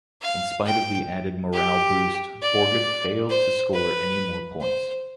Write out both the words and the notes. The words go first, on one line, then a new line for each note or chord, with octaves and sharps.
In spite of the added morale boost, Borgudd failed to score any more points.
F5
G5
G4
D5
C5
B4
C5